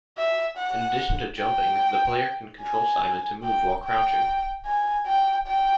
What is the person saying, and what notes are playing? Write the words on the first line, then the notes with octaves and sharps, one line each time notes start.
In addition to jumping, the player can control Simon to move while crouching.
E5
F#5
G5
G#5
G5
G5
G#5
G5
G5